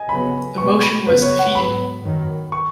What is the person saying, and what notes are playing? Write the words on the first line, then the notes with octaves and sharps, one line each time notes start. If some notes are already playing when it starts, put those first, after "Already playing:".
The motion was defeated.
Already playing: D#5 G#5
C#3 F#3 B3 B5
B2 G#3 B3 C#6
B5
F#2 C#3 B3 B4
C#5
F#5
G#2 F#3 B3 B5
F#2 D#3 F#3
C#6